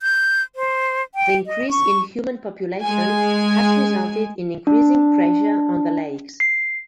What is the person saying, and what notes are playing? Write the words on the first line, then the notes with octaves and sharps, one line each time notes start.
The increase in human population has resulted in increasing pressure on the lakes.
G6
C5
G5
D#5
C#6
G#3 G#5
D4
C7